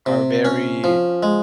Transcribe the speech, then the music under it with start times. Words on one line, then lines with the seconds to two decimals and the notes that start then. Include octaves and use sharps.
are very
0.06 C3
0.45 C#4
0.84 F3
1.23 G#3